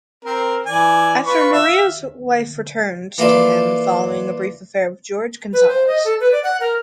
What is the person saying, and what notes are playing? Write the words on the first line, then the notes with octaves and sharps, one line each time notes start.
After Narea's wife returned to him following a brief affair with Jorge Gonzalez.
C4 A#4
E3 D5 G#5
F4 B4 C#6
E5 F5
E3 A#3 F4 A4 D5
B4
C5
D#5
A4
B4
D5
F#5
A#4